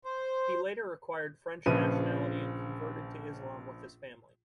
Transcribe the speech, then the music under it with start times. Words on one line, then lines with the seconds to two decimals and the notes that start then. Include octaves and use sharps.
He later acquired French nationality and converted to Islam with his family.
0.05 C5
1.66 A#1 C#3 F3 B4 D#7